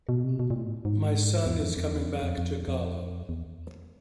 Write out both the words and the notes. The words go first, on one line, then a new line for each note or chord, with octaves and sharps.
My son is coming back to "Galo".
B2
C3
B2
A#2
A2
G#2
E2
F2
F2
E2
F2
F2
F2
F2
E2